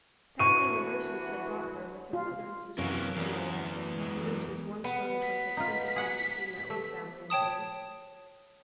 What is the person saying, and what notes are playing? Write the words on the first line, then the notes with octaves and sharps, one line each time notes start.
Family reverses had brought her, with her mother and sisters, to Lowell, and this was one strong point of sympathy between my own family and hers.
D2 E3 F#4 C#6 D#7
F4
F#2 C3 E3 A#4 C#5 F5
E2 A3 D5
F#3 G#3
B3
B6
D#4 F4
G#4 F#5
A3 E5
C#5 G5 A5 D#6